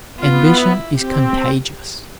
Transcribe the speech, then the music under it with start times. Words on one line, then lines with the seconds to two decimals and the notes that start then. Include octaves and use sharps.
Ambition is contagious.
0.19 B3 F4
0.57 E4
0.96 C4 G4